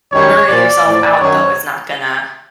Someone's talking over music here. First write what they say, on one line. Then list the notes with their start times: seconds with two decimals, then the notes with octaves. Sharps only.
burning yourself out though is not gonna
0.12 F#2 D#3 G3 C#5
0.48 A#2 F3 D5
0.84 A2 F3 D5
1.20 F#2 D#3 F#3 C#5